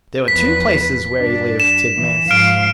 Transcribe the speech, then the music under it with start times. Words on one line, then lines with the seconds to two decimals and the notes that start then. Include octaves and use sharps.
"There were two places where he lived," said Mansus.
0.28 E2 F3 B4 B6
1.19 G2 D4
1.60 E7
1.98 E3
2.31 G#2 F3 F5 F6 D7